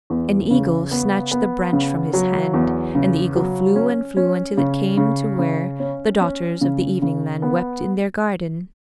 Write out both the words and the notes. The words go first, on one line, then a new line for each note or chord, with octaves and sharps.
An eagle snatched the branch from his hand, and the eagle flew and flew until it came to where the Daughters of the Evening Land wept in their garden.
E2
C#3
B3
B3
C#3
F#3
E2
C#3
F#3
C#4
C#4
C#3
C#3
C#3
C#4
C#4
C#3
C#3
B3